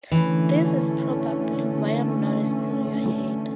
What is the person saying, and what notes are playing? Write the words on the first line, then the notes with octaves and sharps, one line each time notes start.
This is probably why I'm not a studio head.
D3 E3 A3 C#4